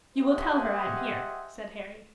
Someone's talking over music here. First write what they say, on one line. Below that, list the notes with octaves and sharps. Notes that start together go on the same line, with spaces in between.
'You will tell her I am here?' said Harry.
G4 G#4 C5 D#5 E5 F#5